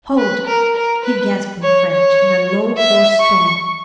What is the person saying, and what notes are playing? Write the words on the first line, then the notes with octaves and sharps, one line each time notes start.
"Hold!" he gasped in French, in a low, hoarse tone.
B4
A#4
A#4
B4
C#5
C#5
E5
C#6